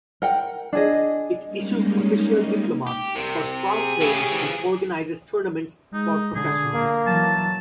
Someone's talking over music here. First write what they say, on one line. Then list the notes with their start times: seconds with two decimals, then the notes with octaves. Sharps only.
It issues official diplomas for strong players and organizes tournaments for professionals.
0.22 A#4 F#5 G5
0.73 D4 G#4 D#5
1.45 G3 G#3 A#3 C#4 D#4
2.87 G4
3.15 C2 C3 C4
3.68 G4 G#4
4.02 C#3 A3 E4
4.32 E3 F3
5.94 G#3 D#4
6.35 D3 G#4
6.74 A#3
7.06 E3 F#3 A5